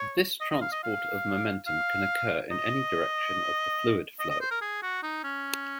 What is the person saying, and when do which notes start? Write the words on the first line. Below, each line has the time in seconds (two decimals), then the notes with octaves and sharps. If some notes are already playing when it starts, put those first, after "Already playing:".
This transport of momentum can occur in any direction of the fluid flow.
Already playing: C#5
0.41 D#5
0.51 D#5
0.61 F5
0.72 D#5
0.83 F5
1.67 F5
2.52 D#5
4.20 D#5
4.30 D#5
4.41 C5
4.51 A#4
4.61 G#4
4.82 F#4
5.03 D#4
5.24 C#4